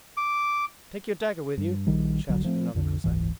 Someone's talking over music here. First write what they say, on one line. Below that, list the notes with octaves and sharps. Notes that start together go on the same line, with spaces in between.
Take your dagger with you!' shouted another Cossack.
D6
G2
A#1 D#3 G3
E1 B1 D3 F#3
F3 A3 C4
B1 F2 D3
F#1 C#2 G#2 E3